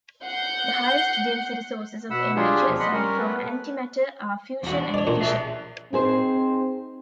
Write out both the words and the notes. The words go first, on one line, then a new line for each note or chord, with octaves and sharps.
The highest density sources of energy aside from antimatter are fusion and fission.
F#5 G6 C7
B2 F#5 B5 E6
F#3 D4 F4 G4 G#4
E2 C3 F3
D#5 F#5 B5 C6
G3 C#4 A#4
A3 B3 B4
E2 F#4
D4
C#5 D5
A#2 C#4
G#4 E5
C4 D#4 G#4 C5